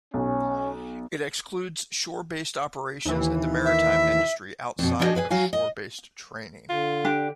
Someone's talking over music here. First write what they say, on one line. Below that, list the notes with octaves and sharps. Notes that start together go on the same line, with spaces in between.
It excludes shore based operations in the maritime industry outside of shore based training.
B1 C#4
D#2 E3
E5
F2 B2
F3 D4 E4 F#4 G#4 D#5
G#4 B4 E5 G#5
F#3 F#4 F5 G#5
D#5
D3 F4
D4 G4